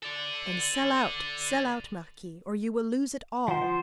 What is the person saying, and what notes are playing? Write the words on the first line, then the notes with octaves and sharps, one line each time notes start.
"Then sell out--sell out, marquis, or you will lose it all."
A4 D5
F3 C5 F#5